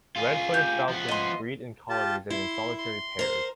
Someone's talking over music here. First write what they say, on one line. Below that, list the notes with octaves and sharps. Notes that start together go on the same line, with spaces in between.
Red-footed falcons breed in colonies and in solitary pairs.
F4 G#4
G4
F3 B3
D#5 C6
F4 G4 A5
E4 C6
C6
A#4 C5